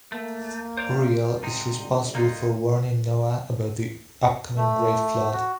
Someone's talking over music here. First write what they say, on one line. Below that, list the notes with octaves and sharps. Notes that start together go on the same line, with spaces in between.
Uriel is responsible for warning Noah about the upcoming Great Flood.
A3 A#3
C5 D5 F5
G#2 C3 D#4
A#2 D3 G3
A#3 D#4 F4
A3
F#4